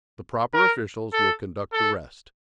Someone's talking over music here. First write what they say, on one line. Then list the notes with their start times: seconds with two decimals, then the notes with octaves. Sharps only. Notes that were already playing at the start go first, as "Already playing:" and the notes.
The proper officials will conduct the rest....
0.54 A#4
1.13 A4
1.73 A4